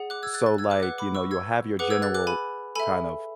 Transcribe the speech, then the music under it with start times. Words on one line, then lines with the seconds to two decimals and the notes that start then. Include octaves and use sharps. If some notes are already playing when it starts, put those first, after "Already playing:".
So, like, you know, you'll have your general kind of
Already playing: G#4 D5 F#5
0.10 D6 F#6
0.23 E6 G#6
0.34 F#6 A6
0.46 F#6 A6
0.58 E6 G#6
0.70 D6 F#6
0.82 B4 D5 F#5 D6 F#6
0.98 B5 D6
1.15 C#6 E6
1.31 E6 G#6
1.79 G#4 B4 F#5 D6 F#6
1.90 E6 G#6
2.02 F#6 A6
2.14 D6 F#6
2.27 G#5 B5
2.75 A4 E5 G#5 B5